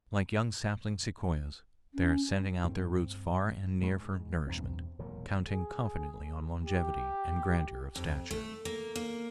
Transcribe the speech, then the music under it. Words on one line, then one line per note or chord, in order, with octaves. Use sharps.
Like young sapling sequoias, they are sending out their roots far and near for nourishment, counting confidently on longevity and grandeur of stature.
C#4
G2 C4
G#2 G#3
E2 G2 B2 C4
E1 A#2 D#3 F#3
G#4
G4
F2
A3
A#3
A#3